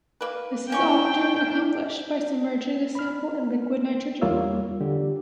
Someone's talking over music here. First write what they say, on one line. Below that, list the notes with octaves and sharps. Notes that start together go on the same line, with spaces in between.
This is often accomplished by submerging a sample in liquid nitrogen.
A#3 B4
A#3 C#4 D4 E4 G5 C#6
B5 F6
E2 G3 A#3 F4 C#5 E6
D3 G4